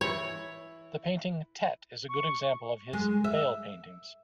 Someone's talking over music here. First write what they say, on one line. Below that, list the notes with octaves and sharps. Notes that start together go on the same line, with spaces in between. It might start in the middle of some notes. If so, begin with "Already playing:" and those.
The painting "Tet" is a good example of his "Veil Paintings".
E3 E4 C#5
C#6
G#3
E5